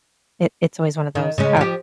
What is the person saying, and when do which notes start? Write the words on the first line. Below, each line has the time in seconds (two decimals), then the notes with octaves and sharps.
it it's always one of those har m m
1.15 D#3
1.38 C#3 G#3 C#4
1.57 F3 G4